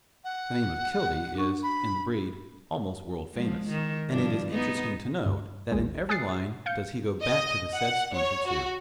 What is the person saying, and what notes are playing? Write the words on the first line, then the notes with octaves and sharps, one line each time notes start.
The name of Kildee is, in the breed, almost world-famous, and it is interesting to note that in every line does he go back to the said Splinter II.
F#5
D4 C#6
B5
F3 G#3
D#3
G2 F3 D4
B3 D#4
G2
A1 D#2 G#3
G#5 D#6 F#6 A6 C7
F5 G6 C#7
D#5
F#5
C#5
F#4